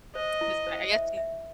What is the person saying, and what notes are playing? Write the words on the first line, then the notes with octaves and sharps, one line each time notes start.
'Cause I I guess he
C5 D#5
E4
C5
E5
E5